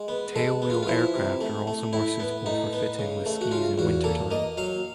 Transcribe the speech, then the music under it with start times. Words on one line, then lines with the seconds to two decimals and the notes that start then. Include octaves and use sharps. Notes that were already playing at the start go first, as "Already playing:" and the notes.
Tailwheel aircraft are also more suitable for fitting with skis in wintertime.
Already playing: G#3
0.08 B3
0.36 G#3 A4
0.62 B3
0.70 F4
0.83 F4
0.88 F3 E4
1.15 C3
1.41 A3
1.67 A3
1.93 A2 E4
2.20 B3
2.46 A2 D#4
2.73 B3
2.99 C#3
3.26 A3
3.41 F#4
3.51 C#3 F4
3.78 E2 F#4
4.04 A#3 A4
4.31 A#3 D#5
4.57 F#3 F5